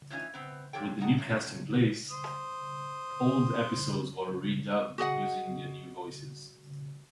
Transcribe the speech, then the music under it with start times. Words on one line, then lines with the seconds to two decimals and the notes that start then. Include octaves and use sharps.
With the new cast in place, old episodes were re-dubbed using the new voices.
0.10 A2 E3 C#4 D#4 F4 G#5
0.34 B3 C4
0.73 D3 F3 G4 A4 C#5 G5
1.00 A2 C4 D#4 F#5 A5
1.17 G2 C3 F3 C#4
2.11 C5 D#6
4.98 F#4 G#4 D#5 F#5